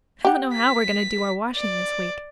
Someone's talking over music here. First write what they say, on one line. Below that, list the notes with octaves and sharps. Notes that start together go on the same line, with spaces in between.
I don't know how we are going to do our washing this week.
G4 F#5
B6
D5